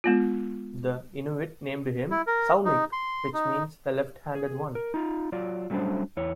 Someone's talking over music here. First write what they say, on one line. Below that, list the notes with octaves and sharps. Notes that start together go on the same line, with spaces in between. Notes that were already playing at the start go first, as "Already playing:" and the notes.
The Inuit named him "Saumik," which means "the left-handed one".
G#3 B3 F4
E4
A#4
D#4
C6
D#4
G#4
A#4
D#4 F4
F#3 F4 D5
F#3 G3 A3 C#4 D4 C5
E2 E4 C#5